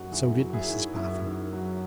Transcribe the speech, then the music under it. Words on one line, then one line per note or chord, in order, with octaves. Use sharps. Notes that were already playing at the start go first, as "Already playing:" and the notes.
So did Mrs Boffin.
Already playing: F#2 C#4 D#4 F#4
D#3 E4 G#4
F#3
E4 G#4
D#3
F#2 E4
D#3
F#3